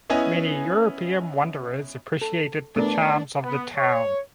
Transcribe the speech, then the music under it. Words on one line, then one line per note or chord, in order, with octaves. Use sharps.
Many European wanderers appreciated the charms of the town.
B3 C#4 E4 D#5 G#5
A4
A3 B3 D4 A#4
B3
C#5